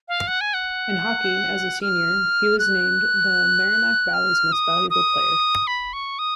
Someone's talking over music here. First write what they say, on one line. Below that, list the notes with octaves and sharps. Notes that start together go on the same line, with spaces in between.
In hockey, as a senior, he was named the Merrimack Valley's Most Valuable Player.
F5
F#5
G#5
F#5
F6
F#6
F6
D#6
D#6
B5
C#6
D#6